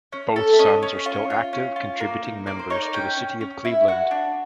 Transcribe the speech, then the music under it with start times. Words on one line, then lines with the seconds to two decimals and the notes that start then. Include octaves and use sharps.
Both sons are still active contributing members to the city of Cleveland.
0.13 C#4
0.36 A4
0.53 E5
0.59 C#4 D#5
0.82 C#4
1.06 F4 C#5
1.30 F4
1.53 C#4
1.76 F4
2.00 A#3
2.24 D#4
2.46 A#3 D5
2.59 C5
2.70 D#4 C#5
2.82 D5
2.94 C#4 G5
3.17 C#4
3.41 C#4
3.65 E4
3.88 F#4 F#5
4.11 D4